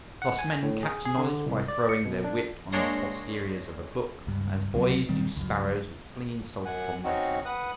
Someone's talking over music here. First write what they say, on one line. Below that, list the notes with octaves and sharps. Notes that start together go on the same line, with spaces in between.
Thus men catch knowledge by throwing their wit on the posteriors of a book, as boys do sparrows with flinging salt upon their tails.
F#5
G#5
A2
G#4
G#4
D3
C2
D5
C#7
B2
D4
G#3 A#3 D4 C#5 C6 A#6
C#2 G2
C#2 C3 F3 F#3
A#2 D#3 G3 C4
C#2 F#2
F#2 F#5 G#5
C4 C#4 D#4 F#4
B4 F#5 D#6 F#6